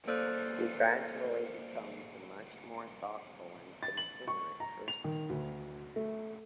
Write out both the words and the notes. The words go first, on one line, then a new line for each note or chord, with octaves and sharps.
He gradually becomes a much more thoughtful and considerate person.
A#3 A4 C5 D5 F6 F#6
A6
F#7
C#6
A#5
F7
D#3
D2
A3